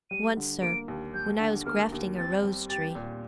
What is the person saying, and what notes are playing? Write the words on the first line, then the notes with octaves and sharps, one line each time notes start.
"Once, sir, when I was grafting a rose-tree."
G3 D#7
D3
A#3 D7
D#2
G3 G6
D3
A#3 F6
D#2
C4 A6
G3
G4 A6
A#2